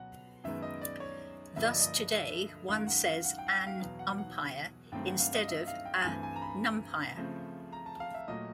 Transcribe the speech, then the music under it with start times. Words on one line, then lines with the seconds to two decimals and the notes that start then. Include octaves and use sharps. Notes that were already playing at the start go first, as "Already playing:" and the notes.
Thus today one says "an umpire" instead of "a numpire".
Already playing: B2 F#3 B3 F#5
0.44 F#2 D#3 G#3 B3 E5
0.62 D#5
0.81 D5
1.00 C#5
1.56 G2 D3 F3 A#3 E5
1.65 D#5
1.73 D5
1.81 D#5
2.12 E5
2.68 F#2 D#3 G#3 F5
2.87 F#5
3.05 F5
3.24 F#5
3.38 G5
3.47 F#5
3.52 G5
3.67 F5
3.80 E2 B2 F#3 F5
3.99 F#5
4.18 F#5
4.92 G2 D#3 F#3 A3 C4 G5
5.06 F#5
5.20 F5
5.34 D#5
5.48 E5
5.68 F5
5.85 G5
6.04 G2 E3 A3 C4 G#5
6.23 G#5
6.36 A#5
6.42 B5
7.16 C#3 F3 A3 C4
7.72 A#5
7.86 A5
8.00 F5
8.15 E5
8.28 A#2 F#3 A3 D#5